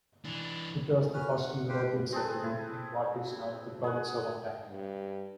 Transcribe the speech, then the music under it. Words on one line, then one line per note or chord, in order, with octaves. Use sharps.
It was the first European settlement in what is now the province of Ontario.
E3 D4
C#4 F#4 B4 F6
F#5
G4 B4 C5 F5 G5
C4 G#4 A4 B4
E4
G#4 F#5
G2